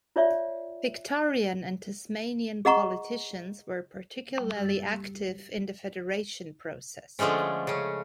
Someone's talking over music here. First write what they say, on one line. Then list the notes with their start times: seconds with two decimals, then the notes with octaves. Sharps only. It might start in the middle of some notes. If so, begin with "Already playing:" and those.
Victorian and Tasmanian politicians were particularly active in the Federation process.
0.16 F4 C#5 D5 E5
2.65 G#4 D#5 F#5 A#5 C#6
7.19 D3 F3 G#3 A3 C#4
7.67 C#3 C#4